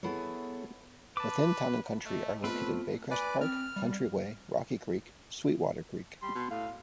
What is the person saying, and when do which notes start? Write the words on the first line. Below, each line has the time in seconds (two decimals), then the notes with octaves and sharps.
Within Town 'n' Country are located Bay Crest Park, Countryway, Rocky Creek, Sweetwater Creek.
0.03 B3 E4 G#4 A4 C#5
1.17 B4 A5 D6
2.05 A3 D#5
2.44 A3 B3 C4 F4 B4
3.11 B4 D5 G#5
3.41 C4 F6
3.76 G3
6.22 G3 C6
6.35 B2
6.51 A2 F5